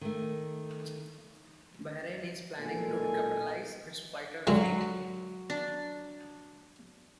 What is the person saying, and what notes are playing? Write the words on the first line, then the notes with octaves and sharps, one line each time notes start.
Bahrain is planning to recapitalize its fighter fleet.
D#3 A3
B1 A#2 G#3 A4 A#4 G#5
F#2 D3 F#3 G#3
D4